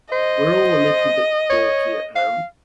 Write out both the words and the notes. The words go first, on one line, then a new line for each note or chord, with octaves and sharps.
We're all a little bit dorky at home.
C5 D#5
C#5
F5